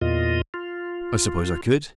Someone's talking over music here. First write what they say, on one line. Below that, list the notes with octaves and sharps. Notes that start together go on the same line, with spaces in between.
"I suppose I could."
E2 A#2 F4 D#5
F4